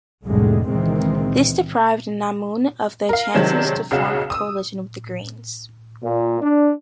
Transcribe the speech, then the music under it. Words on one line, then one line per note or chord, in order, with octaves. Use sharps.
This deprived Naumann of the chances to form a coalition with the Greens.
F1 C2 A2 D3 G3 G#3
C#2 A#2 D#3 E3 G#3 C4
A#4 F5
C3 D#3 F#3 G#3 C4 D4
B1 C#3 F#4 F5 E7
D#6 E6
A#2
D4